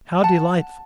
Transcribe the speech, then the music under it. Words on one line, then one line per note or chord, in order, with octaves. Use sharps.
How delightful!
F#5 A5